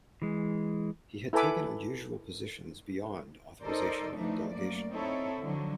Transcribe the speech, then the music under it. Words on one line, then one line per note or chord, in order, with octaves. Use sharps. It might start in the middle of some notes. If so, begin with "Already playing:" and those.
He had taken unusual positions beyond authorization and delegation.
E3 G#3
E4 A4 B4 G#5 B5 D6
D#4 A4 A#4 C5 D5
E3 F3 A3 D4 D#4
F#2 A3 A#3 D5
C4 D#4 E4 A4 C#5
D3 F3 F#3